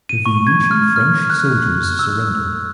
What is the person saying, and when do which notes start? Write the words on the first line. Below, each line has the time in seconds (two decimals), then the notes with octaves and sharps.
The Vichy French soldiers surrendered.
0.09 D#7
0.26 C#6
0.47 G#6
0.71 F6
0.96 F6
1.30 F#6
1.99 E6